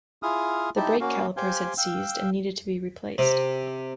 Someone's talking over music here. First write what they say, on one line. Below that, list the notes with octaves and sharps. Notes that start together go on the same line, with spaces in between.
The brake callipers had seized and needed to be replaced.
E4 F4 G#4 D#6 F6
D#4 E4 G4 A5
A#3 C#4 F#4 F5
G4 C5 F5 G5 G#5
F5 G5 E6
C3